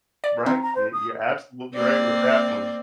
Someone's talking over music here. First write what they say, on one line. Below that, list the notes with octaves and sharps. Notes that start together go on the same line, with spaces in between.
Right. Y you're absolutely right with that one.
D5
C4 A#5
A#5
C5
D#6
A#3 C4 D5